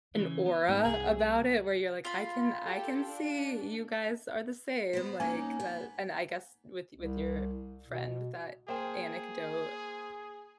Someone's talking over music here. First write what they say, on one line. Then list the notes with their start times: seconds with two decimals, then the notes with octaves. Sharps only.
an aura about it where you're, like, "I can I can see you guys are the same," like, that, and I guess with with your friend with that anecdote,
0.15 C#3 E3
0.46 B3
0.69 G#2 B3
0.85 C2 G#4
2.05 F4 B5
2.63 G4 A4
3.06 D4
4.93 B3 F#4 C5
5.20 A#3 C#4 D#4 G#5
5.60 B3
6.96 C2
7.88 B2
8.68 A#3 G#4 C5 G5